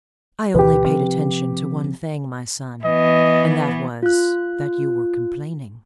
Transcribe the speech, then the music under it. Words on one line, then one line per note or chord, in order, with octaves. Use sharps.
"I only paid attention to one thing, my son, and that was, that you were complaining."
D2 B2 E3 G4 B4
C3 F3 C4
E3 B3 D#5
F4 F#6